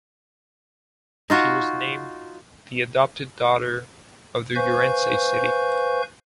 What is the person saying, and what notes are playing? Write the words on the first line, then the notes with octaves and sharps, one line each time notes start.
She was named the adopted daughter of the Ourense city.
D#4 F4 F#4
B4 C5 F5 G#5 C#6 G6